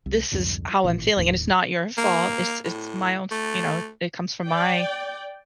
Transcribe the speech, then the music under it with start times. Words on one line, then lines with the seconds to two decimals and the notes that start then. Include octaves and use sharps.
"This is how I'm feeling and it's not your fault, it's it's my own f you know, it comes from my
0.06 C2
0.32 C2 F2 G#2 D3
0.84 A1 A#2 E3
1.17 D#1 D#2 A2
1.98 A#3
2.65 A2
3.31 A3
4.44 D5 G5